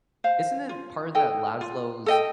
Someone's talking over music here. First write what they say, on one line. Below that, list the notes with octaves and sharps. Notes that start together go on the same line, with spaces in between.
Isn't it part of that Laszlo's
C5 F5
F4
A4 D#5 G5
F4
A4 D#5 G5